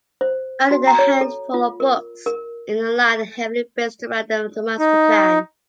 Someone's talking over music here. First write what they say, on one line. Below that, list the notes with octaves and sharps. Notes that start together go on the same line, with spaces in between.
Only a handful of books in the line are heavily based around the Masterplan.
C5
F#4
A#5
C#5
A4
F4
A#4
A#4
D#4